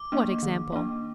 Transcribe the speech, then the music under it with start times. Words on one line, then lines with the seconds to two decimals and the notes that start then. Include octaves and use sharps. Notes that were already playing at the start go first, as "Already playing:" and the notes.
"What example?"
Already playing: D6
0.12 A#3 D4
0.43 D#3
0.72 A#3 D4